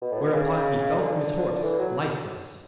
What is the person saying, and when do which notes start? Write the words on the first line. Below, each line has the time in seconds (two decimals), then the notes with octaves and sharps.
Whereupon he fell from his horse lifeless.
0.02 B2
0.12 A2
0.22 B2
0.34 C#3
0.99 D3
1.63 E3
1.79 F#3